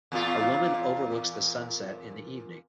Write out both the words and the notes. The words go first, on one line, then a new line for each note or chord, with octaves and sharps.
A woman overlooks the sunset in the evening.
E2 A#2 F4